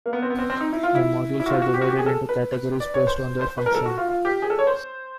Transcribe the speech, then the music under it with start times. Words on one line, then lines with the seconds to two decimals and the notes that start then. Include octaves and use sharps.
The Modules are divided into categories, based on their function.
0.06 A#3
0.13 B3
0.22 C4
0.30 B3
0.39 C4
0.50 C4
0.61 D#4
0.73 E4
0.83 F4
0.95 E4
1.40 E4
1.46 F#4
1.50 F4
1.62 F#4
1.74 G4
1.82 F#4
1.90 G4
1.99 G#4
2.06 A4
2.29 B4
2.80 D5
2.94 C#5
3.07 C5
3.41 C5
3.58 B4
3.66 A#4
3.75 A4
3.86 F#4
3.98 F4
4.08 F4
4.25 G4
4.42 G#4
4.50 A4
4.59 C#5
4.67 C5